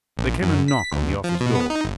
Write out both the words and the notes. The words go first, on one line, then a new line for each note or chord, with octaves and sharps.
There came a knock on the office door.
A#1
F#2
B6
D2
F3
B2
B3
D#4
G1